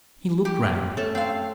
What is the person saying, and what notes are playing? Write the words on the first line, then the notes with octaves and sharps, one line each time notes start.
He looked round.
G4
A3 C#4 A4
C4 F5